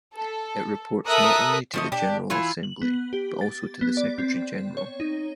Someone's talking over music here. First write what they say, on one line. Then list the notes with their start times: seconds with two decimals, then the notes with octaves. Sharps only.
It reports not only to the General Assembly, but also to the Secretary-General.
0.15 A4
1.07 A4 A#4 E5 D#6 F#6
1.74 F3 A3 D#5
1.92 D4 G4
2.30 E3 E4 F4
2.63 F#7
2.82 B3
3.13 G4
3.41 A6
3.81 B3
3.97 D5
4.18 C4
4.77 C#5
5.00 D#4